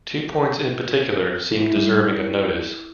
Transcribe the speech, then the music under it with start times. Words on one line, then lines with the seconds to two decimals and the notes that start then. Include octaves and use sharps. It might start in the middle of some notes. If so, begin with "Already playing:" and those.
Two points in particular seem deserving of notice.
1.51 E4 A4
1.76 G3